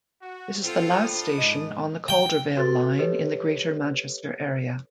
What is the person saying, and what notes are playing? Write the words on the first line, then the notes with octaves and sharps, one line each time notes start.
This is the last station on the Caldervale Line in the Greater Manchester area.
F#4
C4 F4 A4 C5
D4 G5 B5 D#6
G#2 D#5
G5
F#4 A4 B4 C6 A6
G4 A4 B4 C#5 D#5